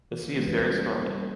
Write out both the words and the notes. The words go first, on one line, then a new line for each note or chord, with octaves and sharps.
The sea is very stormy.
E3
G#3 B3
B4
G3 C5
A#3 C#4
G3